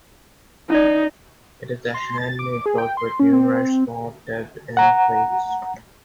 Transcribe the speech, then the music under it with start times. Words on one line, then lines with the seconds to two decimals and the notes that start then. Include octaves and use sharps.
It is a handmade book with numerous small tipped in plates.
0.70 C#4 D#4 D5
1.94 C6
2.18 A6
2.39 D6
2.66 G#4
2.78 G5
2.97 C6
3.20 C#4
3.33 C4
4.77 F#5 A#5